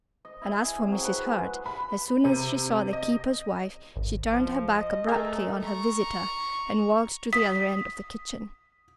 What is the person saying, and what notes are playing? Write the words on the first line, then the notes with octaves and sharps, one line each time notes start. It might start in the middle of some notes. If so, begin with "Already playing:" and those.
And as for Mrs. Hurd, as soon as she saw the keeper's wife, she turned her back abruptly on her visitor, and walked to the other end of the kitchen.
D#5
E4
G#4
C3
F#3
B4
G#3
B5
C3
D#5
G#1
F3
D#5
A3 G#4 A#4
A#5 C#6
D#6 B6